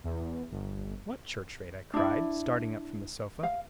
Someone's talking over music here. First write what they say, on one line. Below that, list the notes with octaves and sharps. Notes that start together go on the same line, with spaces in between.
"What church-rate?" I cried, starting up from the sofa.
E2
G1
D4 E4
F5